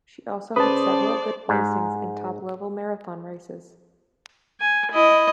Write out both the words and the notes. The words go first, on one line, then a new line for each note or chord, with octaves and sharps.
She also had several good placings in top level marathon races.
C#3 B4 C5 D5 A5 D#6
G#2
G#5
E4 D#5